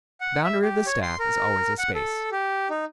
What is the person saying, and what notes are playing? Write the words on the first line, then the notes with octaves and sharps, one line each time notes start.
The boundary of the staff is always a space.
F#5
E5
G4
C#5
C6
A#4
F#5
A4
G4
D#4